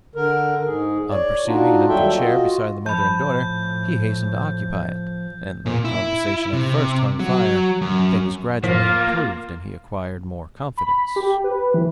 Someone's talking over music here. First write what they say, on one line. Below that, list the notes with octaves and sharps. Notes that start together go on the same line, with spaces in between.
On perceiving an empty chair beside the mother and daughter, he hastened to occupy it, and though conversation at first hung fire, things gradually improved, and he acquired more confidence.
D3 A#4
G#2 G#4
C#5 D5
D4 D#4 F4 F#4
D#2 F#3 G3 A4 E5 G5
F4 F#4 D#5
A2 F3 A5 B5 G6
A#2
E4
C3
F#3
F#2
A2 F3 A#3 F4 B6
B5
G4
B4
E3